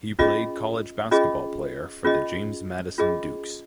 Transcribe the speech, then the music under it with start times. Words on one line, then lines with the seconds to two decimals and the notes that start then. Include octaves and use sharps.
He played college basketball player for the James Madison Dukes.
0.19 C#4 F4 G#4 D#5
1.11 C#4 F4 G#4 D#5
2.05 C#4 F4 G#4 D#5
2.98 C#4 F4 G#4 D#5